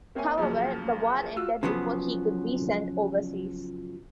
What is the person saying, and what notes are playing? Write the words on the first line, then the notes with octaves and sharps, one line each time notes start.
However, the war ended before he could be sent overseas.
A#3 C4 C#5 E5 G#5
F#2 A#2 C#3 F3
F4 F#4 E6
C#3 F3 F#3 B3